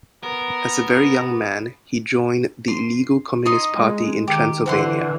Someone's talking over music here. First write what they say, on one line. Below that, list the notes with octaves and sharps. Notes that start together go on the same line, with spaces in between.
As a very young man, he joined the illegal Communist Party in Transylvania.
B3 A#4
C6
D#4 D#5 C6
G#3
D#3 G4
D3 E3 C5 F#5 C6